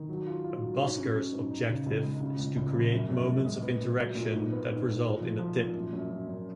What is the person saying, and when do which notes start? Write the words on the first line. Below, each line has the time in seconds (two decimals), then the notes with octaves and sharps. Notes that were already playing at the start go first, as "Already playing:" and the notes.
A busker's objective is to create moments of interaction that result in a tip.
Already playing: D#3
0.09 F#3
0.27 F4
0.44 F4
0.62 F#3
0.80 G#2
0.98 C#4
1.15 C#4
1.33 G#2
1.50 D#4
1.68 C#3
1.86 C#2
2.03 G#3
2.20 C#3
2.39 C#2
2.56 C#2
2.74 F3
2.92 F#2
3.09 F#2
3.27 G#3
3.45 G#3
3.63 B3
3.81 A#2
3.98 F#3
4.15 A#2
4.33 G#2
4.51 B3
4.69 G#2
4.86 G#2
5.04 A#2
5.21 F3
5.39 F3
5.57 A#2
5.75 F#2
5.93 F#2
6.10 F#2
6.28 F#2